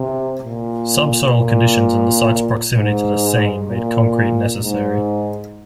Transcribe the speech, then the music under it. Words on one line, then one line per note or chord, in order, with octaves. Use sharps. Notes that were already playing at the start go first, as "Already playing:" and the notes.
Subsoil conditions and the site's proximity to the Seine made concrete necessary.
Already playing: C3
A#2
A#2
G#2
A#2
G#2